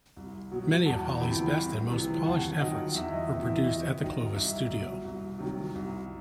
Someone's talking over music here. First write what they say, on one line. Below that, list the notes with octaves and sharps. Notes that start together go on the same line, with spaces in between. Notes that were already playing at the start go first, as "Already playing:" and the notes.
Many of Holly's best and most polished efforts were produced at the Clovis studio.
C2
B2 F#3
E2 F#5 A5
C3 E3 G5 B5
C2
C3 E3
D#2 F#5 A5
D#3 F#3 D#5 F#5
E2 E5
D#5
C3 E3
E5
D#2 D#5
D#3 F#3 D#5
C2 E5
B2 F#3
C2
C3 D#3 F#3
C2